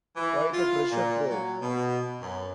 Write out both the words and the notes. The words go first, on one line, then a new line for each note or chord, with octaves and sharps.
Quite a treasure-trove.
E3
F4
A#2
F#3
B2
F#2